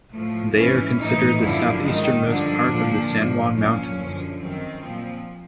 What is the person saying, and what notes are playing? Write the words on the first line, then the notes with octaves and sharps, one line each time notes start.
They are considered the southeasternmost part of the San Juan Mountains.
A2 F3 A3
G#2 E3 C#4
A2 E3 D#4
F#2 D3 F3 E4
G#2 D#3 D#4
G2 D3 F3 D4
A#2 F3
G#2 F3
A#2 F3 C#4
F#2 D3 F3
F#2 D#3 C4
A#2 F3